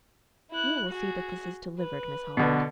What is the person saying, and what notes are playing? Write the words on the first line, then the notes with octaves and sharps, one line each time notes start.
"You will see that this is delivered, Miss Holland."
E4 F#6
F#4 G#4
B4
B2 D3